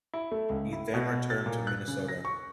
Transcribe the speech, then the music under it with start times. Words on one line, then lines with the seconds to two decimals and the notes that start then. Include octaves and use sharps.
He then returned to Minnesota.
0.14 E4
0.31 A3
0.50 C#2
0.73 E4
0.94 B2
1.30 A6
1.46 A#2
1.67 F#6
1.88 C#3
2.08 A#6
2.25 C#6